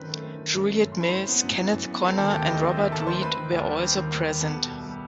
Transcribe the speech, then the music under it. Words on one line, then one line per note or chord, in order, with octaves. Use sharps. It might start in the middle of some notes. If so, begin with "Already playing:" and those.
Juliet Mills, Kenneth Connor and Robert Reed were also present.
Already playing: F#2 D#3 C4 B4 B5
A3
C4
D#3
F#2
A3
F#2
C6
E3 B5
F#2 C5 C6
B3
F#2
E3
F#2
B3
C4 A4 A5
D#3 A4 A5
D#2 G4 G5
A3 D#5
C4 D#5
D#3 E5
D#2 A4 A5
A3 C5 C6
C4 B4 B5
D#3
D#2
G3
C4
D#3
D#2
G3
B3 A4 A5
B2
C2
G3